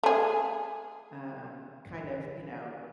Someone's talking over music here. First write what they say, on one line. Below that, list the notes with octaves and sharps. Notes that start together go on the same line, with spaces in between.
um, kind of, you know,
A3 G#4